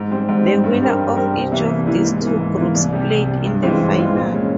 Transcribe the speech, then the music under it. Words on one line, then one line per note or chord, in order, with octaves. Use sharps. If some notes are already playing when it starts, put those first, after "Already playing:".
The winner of each of these two groups played in the final.
Already playing: G#2
G3 C4
G#2
G3 C4
G2
G3 C4 G4 A#4
G2
G3 C4 G4 A#4
C2
C3 E3 A#3 E4
C2
C3 E3 A#3 E4
G#2
E3 A#3
G#2
E3 A#3
C2
C3 G3
C2
C3 G3
G2
E3 G#3 C4 F4
G2
E3 G#3 C4 F4
A#2
G#3 C#4